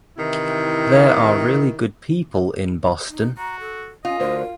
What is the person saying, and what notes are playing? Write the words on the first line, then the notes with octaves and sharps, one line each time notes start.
There are really good people in Boston.
C3 D#3 E3 E4
D#4
F#4 A#5
A4
C#4 F4 D#5
D2 D3 A#4 C5